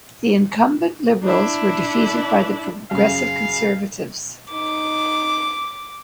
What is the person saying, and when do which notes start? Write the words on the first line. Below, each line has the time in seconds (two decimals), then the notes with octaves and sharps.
The incumbent Liberals were defeated by the Progressive Conservatives.
1.24 D4 E4
2.91 F#2 C#3 F5
4.53 D#4 D6